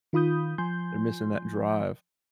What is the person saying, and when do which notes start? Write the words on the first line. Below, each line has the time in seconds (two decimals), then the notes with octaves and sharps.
They're missing that drive,
0.13 D#3 F4 B5 D#6 G6
0.58 F3 G#5 C6 G6